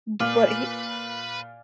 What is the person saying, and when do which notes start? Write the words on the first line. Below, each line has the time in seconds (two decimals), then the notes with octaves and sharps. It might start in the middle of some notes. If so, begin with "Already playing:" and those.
Mm But he
0.20 A#2 B4 D5 F5 G#5